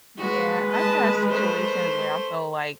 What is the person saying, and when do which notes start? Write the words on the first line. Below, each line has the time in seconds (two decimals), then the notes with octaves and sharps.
Yeah, I've had situations where I feel like
0.18 G#3 F#4 B4
0.71 D#5 A5
1.30 A3 C5